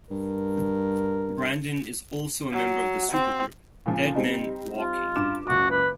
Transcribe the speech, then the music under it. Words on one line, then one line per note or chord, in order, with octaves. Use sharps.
Brandon is also a member of the supergroup, Dead Men Walking.
G2 A#4
F#3
C4
A#2 C#3 F3
G3 C4 D#4
F4
G2 D6 E7
F#1 C#2 F#4 D6
B4